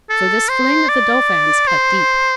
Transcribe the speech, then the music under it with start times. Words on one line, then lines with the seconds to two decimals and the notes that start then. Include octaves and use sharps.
So this fling of the Dauphin's cut deep.
0.10 A4
0.49 C5
0.89 D5
1.68 C5